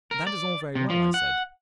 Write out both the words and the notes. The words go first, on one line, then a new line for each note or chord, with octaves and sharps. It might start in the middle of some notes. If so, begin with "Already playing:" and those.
"That is all very well," I said.
A#4
D5
C3
F3
F#5